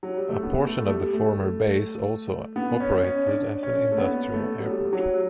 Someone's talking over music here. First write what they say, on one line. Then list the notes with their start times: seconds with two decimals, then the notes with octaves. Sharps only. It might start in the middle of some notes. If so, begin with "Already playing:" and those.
A portion of the former base also operated as an industrial airport.
0.03 F#3
0.17 G3
0.29 A3
0.43 B3
0.67 A3
0.86 A3
0.91 G3
1.13 A3
2.56 B3
2.80 C#4
3.04 C#4
3.27 D4
3.63 C#4
3.92 A3
3.98 B3
4.33 A3
4.60 F#3
4.69 G3
4.93 F#3